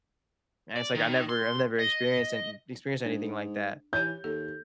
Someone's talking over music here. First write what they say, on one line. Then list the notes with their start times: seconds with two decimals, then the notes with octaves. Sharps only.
and it's like, I never I've never experienced an n experienced anything like that,
0.76 D5
0.95 D#3
1.29 C6
1.79 D#5
3.05 G#2 D4
3.93 E3 G4 C#5 G6
4.24 D#2 A4